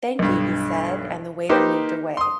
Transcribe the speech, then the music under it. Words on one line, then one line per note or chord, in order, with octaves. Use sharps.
"Thank you," he said, and the waiter moved away.
B1 G2
A#3 D#4 G4 B4 C5
C6 D#6